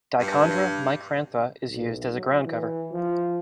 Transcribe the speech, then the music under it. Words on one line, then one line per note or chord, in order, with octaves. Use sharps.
"Dichondra micrantha" is used as a groundcover.
G2
B1
F#3
E3
F3